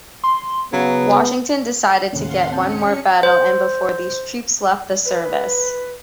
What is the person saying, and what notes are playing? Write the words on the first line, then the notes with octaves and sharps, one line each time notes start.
Washington decided to get one more battle in before these troops left the service.
C6
C#3 F#3 B3
D#2 A2 C#3 F5 F#5 C6
C4 C#4 A5 G6 C#7
C5
B4